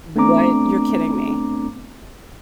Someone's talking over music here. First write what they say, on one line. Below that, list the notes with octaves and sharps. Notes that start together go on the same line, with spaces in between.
What? You're kidding me.
A3 B3 C4 D4 A#5 D6